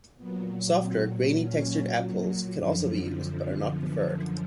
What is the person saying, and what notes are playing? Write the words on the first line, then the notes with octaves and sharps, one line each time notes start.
Softer, grainy-textured apples can also be used, but are not preferred.
A#2 F#3 B3
C4
C#4
F#2 D3 F3
C4
C4
B3